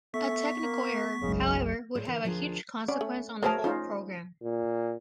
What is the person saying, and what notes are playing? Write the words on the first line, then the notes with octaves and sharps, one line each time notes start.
A technical error, however, would have a huge consequence on the whole program.
A3 B3 C#6 B6
A#3
F#1 B1 C#3 G#3
A2 G#4 C5 D5
D3 E3 A#4
D2 F3 D4 F4 G#4 A#4
C#4 D5
A3
F#3 A3 G#4 A#4 C5 A5
C#4 D#4 F4 C5
A#2